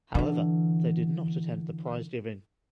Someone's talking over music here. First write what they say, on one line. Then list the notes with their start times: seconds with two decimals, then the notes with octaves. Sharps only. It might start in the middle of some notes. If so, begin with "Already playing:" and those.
However, they did not attend the prize giving.
0.15 D3 E3